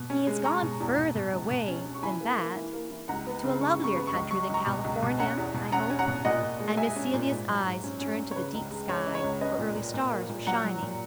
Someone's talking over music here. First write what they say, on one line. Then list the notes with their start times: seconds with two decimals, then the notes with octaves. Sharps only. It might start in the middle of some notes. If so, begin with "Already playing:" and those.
"He has gone further away than that, to a lovelier country than California, I hope." And Miss Celia's eyes turned to the deep sky, where early stars were shining.
Already playing: B2
0.10 C#4
0.27 G#3
0.44 G#3 A#5 C#6
0.63 B2
0.80 E2
0.98 B2
1.15 B2
1.33 C#2
1.51 B2
1.68 C#4
1.86 C#4
1.95 C#6
2.03 E3 G#5 B5
2.21 A#3
2.39 A#3
2.56 E3
2.73 A#3
2.91 E3
3.08 C#2 F#5 A#5
3.27 B3
3.44 C#3
3.61 C#3 C#6
3.79 C#3 C#6
3.96 B3
4.07 C#6
4.14 C#2
4.31 F#3 C#6
4.49 C#2 A#5 C#6
4.67 B2
4.84 C#2
5.02 B2
5.19 C#4 F#5 A#5
5.37 E2
5.54 B2
5.72 C#4 F#5 A#5
5.90 C#4
5.99 F#5 A#5
6.08 B2
6.25 A#2 D#5 F#5
6.43 A#2
6.60 G#3
6.77 G#3 E5 G#5
6.96 C#4
7.13 A#2
7.30 G#2
7.48 F#3
7.65 G#2
7.84 C#4
8.01 C#4
8.18 C#4
8.31 C#5
8.36 C#3 B4
8.54 C#2
8.71 G#3
8.89 C#2 C#5
9.06 C#3 D#5
9.15 C#5
9.24 C#2
9.41 C#4 B4 D#5
9.58 A#2
9.76 A#2
9.94 A#2
10.11 A#3
10.29 A#2
10.47 F#3 F#5 A#5
10.64 F#3
10.82 A#2